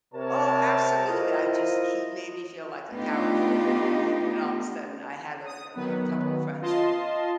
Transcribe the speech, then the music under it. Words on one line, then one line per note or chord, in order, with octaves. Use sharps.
Oh, absolutely, I just he made me feel like a coward for a while, and all of a sudden I had a a a couple of friends that
C3 A#4 C#5 A5
E4 F4 A#4 C5 D#5
A3 B3 D4 D#4 F4 G4
D#6
D#3 F#3 B3 B4
F4 D#5 A5 C6